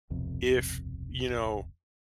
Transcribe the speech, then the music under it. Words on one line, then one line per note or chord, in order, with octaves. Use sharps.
if, you know,
D1 B1 F2 C3